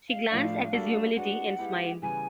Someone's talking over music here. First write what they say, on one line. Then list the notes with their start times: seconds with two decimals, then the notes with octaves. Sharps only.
She glanced at his humility and smiled.
0.09 F5
0.30 A2 F3 A3 D4 F5
0.73 G3 A#3 D4 F#4 A4
1.15 G#3 B3 D4 F#4 F#5
1.59 G#3 B3 E4 G4
2.02 C#3 E3 G3 B3 G#5